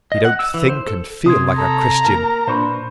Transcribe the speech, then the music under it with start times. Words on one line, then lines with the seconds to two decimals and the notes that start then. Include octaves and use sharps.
He don't think and feel like a Christian.
0.12 D#5
0.25 F#5
0.39 E6
0.54 E3
0.69 C5
0.87 A4
1.26 C3 C6 D#6 G#6
1.57 A4 A#5
2.05 A#3 A#4 A5
2.47 A#2 D4 B4 C5 C#6